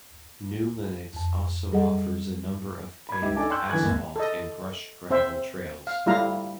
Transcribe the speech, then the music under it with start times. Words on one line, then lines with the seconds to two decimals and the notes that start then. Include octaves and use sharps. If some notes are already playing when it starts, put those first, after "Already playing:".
New Lenox also offers a number of paved asphalt and crushed gravel trails.
1.13 F2 A5
1.72 G3 G#4 A4 D#5 F#5
3.09 B5 G#6
3.22 C#2 D#4 G4 E5
3.36 D4 D#4 A4 G#5 A5 D6
3.50 G5 C6 C#6 E6 F#6 G6
3.70 D3 E3 G#5 F#6 G#6
3.82 G#1 D#2
4.16 A4 D#5
5.10 C4 C5 E5
5.87 F5
6.06 G3 A3 E4 F4 F5 A#5